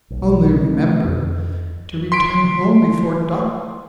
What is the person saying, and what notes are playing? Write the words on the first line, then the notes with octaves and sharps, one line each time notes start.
Only remember to return home before dark.
B1
D#3
A3
F2
C6 B6 D7